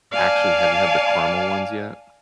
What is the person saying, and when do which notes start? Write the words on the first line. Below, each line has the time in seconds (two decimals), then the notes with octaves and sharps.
Actually, have you had the caramel ones yet?
0.11 D5 F5 G#5 A5